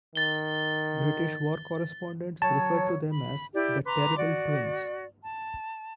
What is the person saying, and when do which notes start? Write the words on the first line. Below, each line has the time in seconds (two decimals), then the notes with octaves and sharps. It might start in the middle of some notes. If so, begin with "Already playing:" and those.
British war correspondents referred to them as "the terrible twins".
0.15 D#3 A6 G7
2.42 F#3 C#5 A5
3.11 B5
3.53 E4 G4 D5
3.85 B4 A#5 C6 D6
4.17 F#4 D5
5.23 A5